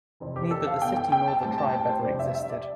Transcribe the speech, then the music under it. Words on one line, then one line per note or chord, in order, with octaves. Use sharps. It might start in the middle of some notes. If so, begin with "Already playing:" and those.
Neither the city nor the tribe ever existed.
F2 C3 E3
G4
A4
F5
B2 B3 G5
G5
G5
A5
A2 G3 C4 G5
A5
G5
C5
F2 C3 G3 D5
E5
E5
D5